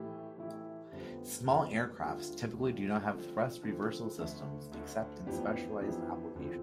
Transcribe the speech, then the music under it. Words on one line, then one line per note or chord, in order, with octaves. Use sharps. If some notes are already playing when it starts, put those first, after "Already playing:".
Small aircraft typically do not have thrust reversal systems, except in specialized applications.
Already playing: A2 E3 A3 E4 G4
A2 E3 A3 E4 G4
F2 D3 G3 B3
F2 D3 G3 B3
D2 D3 G3 D4 F4
D2 D3 G3 D4 F4
D3 F3 C4
D3 F3 C4
D2 D3 A3
D2 D3 A3
F2 E3 B3 D4 G4
F2 E3 B3 D4 G4
E2 D3 F3 C4